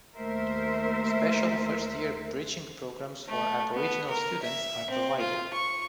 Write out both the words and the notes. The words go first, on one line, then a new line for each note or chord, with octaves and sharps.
Special first-year bridging programs for Aboriginal students are provided.
D#2 A3 A#4 C5 E5
A3
B3
A#4
E5
C4
F4
C#6